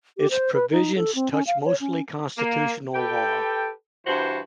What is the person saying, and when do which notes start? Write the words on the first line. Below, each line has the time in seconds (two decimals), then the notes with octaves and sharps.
Its provisions touch mostly constitutional law.
0.18 G4
0.31 C5
0.54 B4
0.71 D#4
0.96 A4
1.15 C4
1.32 C#4
1.47 F5
1.65 C#5
1.81 C#4
2.38 A#3
2.95 G4 A4 B4 G5
4.07 G2 E3 F#4 C5